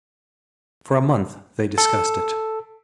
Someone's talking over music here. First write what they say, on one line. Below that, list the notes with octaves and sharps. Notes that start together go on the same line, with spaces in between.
For a month they discussed it.
A4